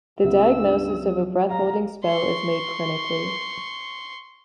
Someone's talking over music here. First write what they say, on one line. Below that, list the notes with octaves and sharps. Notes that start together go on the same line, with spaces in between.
The diagnosis of a breath-holding spell is made clinically.
C#2 B3 E5 E6
G2
F#3
F5 A#5
C6 C#6